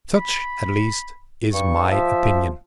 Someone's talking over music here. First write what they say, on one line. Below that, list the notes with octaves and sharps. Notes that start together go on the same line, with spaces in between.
Such, at least, is my opinion.
B5
G2 C#6
F3 E5